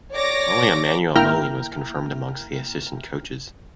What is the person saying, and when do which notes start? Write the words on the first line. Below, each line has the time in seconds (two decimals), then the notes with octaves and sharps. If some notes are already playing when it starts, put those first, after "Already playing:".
Only Emanuele Molin was confirmed amongst the assistant coaches.
0.13 C#5 D5 D6 A#6
1.15 G#1 A#3 E4 G5 A#5 F6